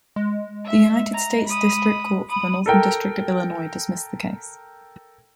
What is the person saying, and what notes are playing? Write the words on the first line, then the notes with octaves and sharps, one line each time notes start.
The United States District Court for the Northern District of Illinois dismissed the case.
G#3
E5
A#5
B5 D#6
B5 D#6
A4 A#4 G5